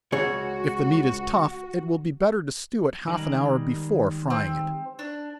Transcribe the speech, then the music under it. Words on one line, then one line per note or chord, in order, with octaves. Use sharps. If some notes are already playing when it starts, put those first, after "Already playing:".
If the meat is tough, it will be better to stew it half an hour before frying it.
C#2 F#4 G#4 C#5
D#3 G3 G#3
C4
D4